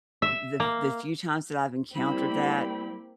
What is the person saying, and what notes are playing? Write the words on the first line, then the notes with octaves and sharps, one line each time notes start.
the f the few times that I've encountered that
E5
A#3
G3 A#3 C4 E4 G4 B5